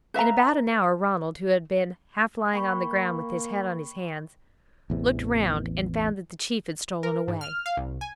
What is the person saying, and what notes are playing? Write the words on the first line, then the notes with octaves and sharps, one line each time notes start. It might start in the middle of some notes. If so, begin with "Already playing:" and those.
In about an hour Ronald, who had been half lying on the ground with his head on his hands, looked round and found that the chief had stolen away.
B4 E5 F5 A#5
A#3 G5 B5 C#6
A1 E2 C3
A#4
G#2
F6
F5
C2
G#5